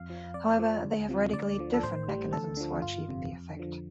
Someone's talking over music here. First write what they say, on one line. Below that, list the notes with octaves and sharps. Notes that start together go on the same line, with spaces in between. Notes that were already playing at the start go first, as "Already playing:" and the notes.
However, they have radically different mechanisms for achieving the effect.
Already playing: F2 F5
F3
F2 D5
F3
D2
C3 F3
D2 D5
D3 F3
A4
A1 C5
A2 G3
D2 A4
D3 F3
G1 F4
F2 C3
F2
D3 F3